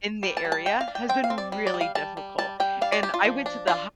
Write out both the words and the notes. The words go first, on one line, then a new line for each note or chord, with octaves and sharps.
in the area has been really difficult, and I went to the
G3
A5
G3
A5
D4 G5
F5
D4
G5
C4 G5
F5
C4
D5
G3
D5
G3
F5
G3 A5
G3
G3 A5
G3 G5
D4 F5
D5
D4 G4
F4
F3
D4
D4 F4